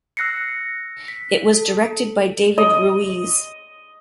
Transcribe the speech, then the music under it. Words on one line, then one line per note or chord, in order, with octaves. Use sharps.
It was directed by David Ruiz.
E6 F#6 A#6 C7 C#7
B6
A4
D#5